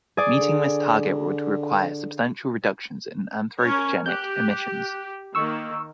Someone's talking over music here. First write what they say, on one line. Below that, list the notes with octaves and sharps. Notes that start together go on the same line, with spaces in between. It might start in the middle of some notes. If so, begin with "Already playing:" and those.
Meeting this target would require substantial reductions in anthropogenic emissions.
G#4 D5
D3
C#4 A#4 C#5
G4 F#6 G6
D#3 A#3 C#6 E6